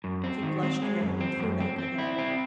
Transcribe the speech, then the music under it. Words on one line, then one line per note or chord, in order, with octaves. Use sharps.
She blushed red and threw back her head.
F#2
C4
D#3
C4
G#3
F#2
C4
F#2
C4
C4
E4
C4